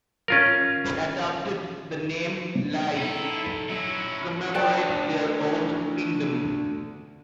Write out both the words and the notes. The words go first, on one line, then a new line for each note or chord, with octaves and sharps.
They adopted the name Lai to commemorate their old kingdom.
C#4 F4 A#4
D#4 E4 A4
F#3 C#4 E4
D2 B4 D5 G5 A5